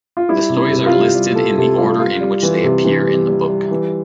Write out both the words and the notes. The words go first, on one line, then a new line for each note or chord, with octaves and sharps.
The stories are listed in the order in which they appear in the book.
F4
G3 E4
C3
E4
C3
F4
G3
G3
G3 A4
C3 A4
G3 F4
G3 F4
G3
E3
C3
E3
G3
G3
G3
E3